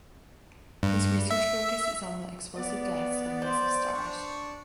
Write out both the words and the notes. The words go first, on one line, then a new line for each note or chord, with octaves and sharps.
His research focus is on the explosive deaths of massive stars.
G2
E5
B3 D5
C5
D4 C#6